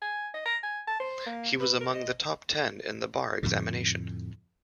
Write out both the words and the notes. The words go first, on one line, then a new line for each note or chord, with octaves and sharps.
He was among the top ten in the bar examination.
G#5
D#5
A#5
G#5
A5
C5
A#3
B4
A#4
D#5
F2 A2 D3